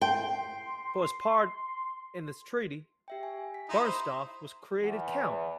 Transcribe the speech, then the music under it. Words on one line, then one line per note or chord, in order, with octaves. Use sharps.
For his part in this treaty Bernstorff was created count.
G5 C6
G4 E5 G5
G#5
B6
D#4 E4 B5 C6 D#6
C5
E2